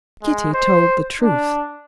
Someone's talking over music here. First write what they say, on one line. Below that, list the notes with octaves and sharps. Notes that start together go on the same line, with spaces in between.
Kitty told the truth.
G#3
C5
D4